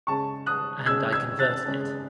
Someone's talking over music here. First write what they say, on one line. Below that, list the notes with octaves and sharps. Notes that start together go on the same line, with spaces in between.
And I converted it.
C#3 G#3 C#4 A5 C#6
D#6 F#6
C#3 G#3 C#4 E6 G#6
E6 G#6
F#6 A6
C#3 G#3 C#4